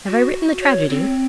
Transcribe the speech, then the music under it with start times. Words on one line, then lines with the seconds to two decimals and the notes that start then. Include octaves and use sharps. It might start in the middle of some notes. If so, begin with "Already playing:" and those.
Have I written the tragedy?
0.08 F#4
0.61 C#5
0.89 C4